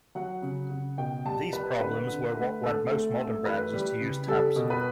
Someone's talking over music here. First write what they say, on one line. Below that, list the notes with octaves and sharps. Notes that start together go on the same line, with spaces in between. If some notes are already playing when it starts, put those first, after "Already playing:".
These problems were what led most modern web browsers to use tabs.
F#3 F#5
C#3
C#3
B2 G5
G3 A5
G3 B4
D3 B4
D3
A3
D3 A4
A3
A3
E3 B4
G3
C#3
G3 A4
B2
B4